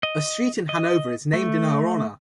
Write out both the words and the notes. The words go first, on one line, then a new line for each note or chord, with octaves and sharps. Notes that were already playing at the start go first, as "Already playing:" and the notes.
A street in Hanover is named in her honor.
D#5
D#5
A3